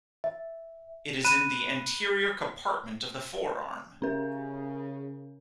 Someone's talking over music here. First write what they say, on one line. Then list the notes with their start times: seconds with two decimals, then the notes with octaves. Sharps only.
It is in the anterior compartment of the forearm.
0.24 E5
1.25 B5 F#6 D#7 E7
4.02 C#3 C#4 A#4